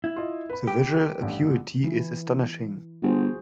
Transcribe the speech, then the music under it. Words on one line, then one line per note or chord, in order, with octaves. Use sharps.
The visual acuity is astonishing.
E4
F4 D#5
B4 B5
G4
A1 G2
E3 E4
G1 F#4 G#4 C5